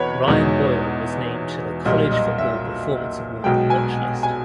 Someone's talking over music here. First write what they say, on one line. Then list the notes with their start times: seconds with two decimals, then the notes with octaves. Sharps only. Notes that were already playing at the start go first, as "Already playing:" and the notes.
Ryan Boyle was named to the "College Football Performance Award" Watch List.
Already playing: E2 B2 B4 C#5 D#5
0.27 E2 B2 G#3 D#4
1.85 B1 A#2 G3 D#5
2.12 D#5
2.38 E5
3.44 B1 B2 G#3 G5
3.70 G#5
4.23 G#5